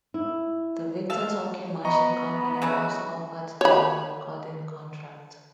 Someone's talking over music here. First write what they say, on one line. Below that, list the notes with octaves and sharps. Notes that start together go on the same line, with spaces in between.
The Victor Talking Machine Company also offered them a recording contract.
E4
A4 F5
B3 D#5 A#5 B5 C#6
C#3 A3 F#4
C#5 B5